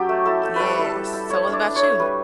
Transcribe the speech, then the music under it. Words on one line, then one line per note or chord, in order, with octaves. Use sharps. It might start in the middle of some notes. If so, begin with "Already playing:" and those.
Yes, so what about you?
Already playing: F#3 C#4 G4 A4
A3
E4 A4
A3
G3 A4 B4
E4
A4
G3
E4
A3 C#5
D4
D5
D4
C#5
A3
G3 B4